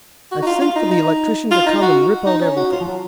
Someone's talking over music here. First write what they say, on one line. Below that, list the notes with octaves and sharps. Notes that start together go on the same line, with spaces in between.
I've sent for the electrician to come and rip out everything.
F#4
D#4
F4
F4
D#4
D#4
F4
D#4
F#4
D#4
C#4
F#4
F4
F3
F#3